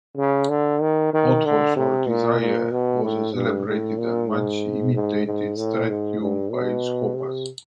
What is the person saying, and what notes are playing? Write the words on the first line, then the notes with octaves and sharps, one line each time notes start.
"Pothos", or "Desire", was a celebrated and much imitated statue by Scopas.
C#3
D3
D#3
D#3
D3
C3
A#2
A#2
B2
A2
G2
A2
A#2
G#2
G#2
G#2
A2
G#2
G2
B2
C3